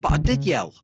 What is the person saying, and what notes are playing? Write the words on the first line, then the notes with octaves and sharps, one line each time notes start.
But I did yell.
D3
C#3